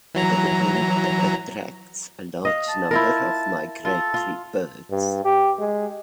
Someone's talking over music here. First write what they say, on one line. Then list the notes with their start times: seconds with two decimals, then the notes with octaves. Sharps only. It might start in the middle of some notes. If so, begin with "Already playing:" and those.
The lagoon attracts a large number of migratory birds.
0.15 E3 F#3 A#5
2.45 D#5 F5
2.68 A5
2.91 E4 F4 A#4
3.85 F4 A4
4.14 F4
4.91 G2
5.25 G4
5.59 G#3